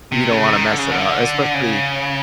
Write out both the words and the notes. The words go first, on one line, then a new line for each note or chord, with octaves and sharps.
You don't wanna mess it up, especially
C3
C#3
D#3
D3
C#3
D3
C#3